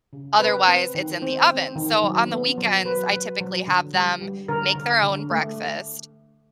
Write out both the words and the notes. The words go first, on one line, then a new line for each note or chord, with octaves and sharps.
otherwise it's in the oven. So, on the weekends, I typically have them make their own breakfast
C#3
C4 B4
C4
D#3
C4
C4
D#3
F#3
B3
F#3
F#3 B4
F#3
F#3
D3
G3
G3
D3 A#4
D3
D3
A3